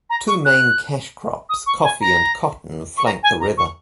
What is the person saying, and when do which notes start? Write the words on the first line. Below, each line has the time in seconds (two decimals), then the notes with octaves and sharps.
Two main cash crops, coffee and cotton, flank the river.
0.10 A#5
0.28 C#6
0.45 F#6
1.49 D#6
1.67 C#6
1.84 G#5
2.01 A#5
2.97 C#6
3.05 A#5
3.23 G#5
3.41 A#5
3.58 C#6